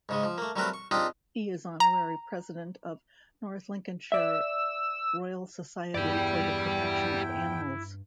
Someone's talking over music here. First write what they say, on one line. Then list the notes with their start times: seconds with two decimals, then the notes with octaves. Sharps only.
He is Honorary President of North Lincolnshire Royal Society for the Protection of Animals.
0.09 G#2 C#3 G#3
0.24 F3
0.38 A3 A#3
0.56 F#3 G3 A3 C4 A#4 B4
0.74 C#6
0.91 C4 D4 D#4 F4 G4 G#4
1.80 A#5
4.12 D5 E5 E6
5.95 E2 G2 E4 G4 D5 G5